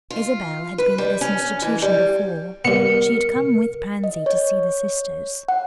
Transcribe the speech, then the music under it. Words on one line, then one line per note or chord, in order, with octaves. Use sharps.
Isabel had been at this institution before; she had come with Pansy to see the sisters.
F4
B4
G3
C#4
E3
G3
G2 B3 A#4 C#7
D#5
C#5
F#5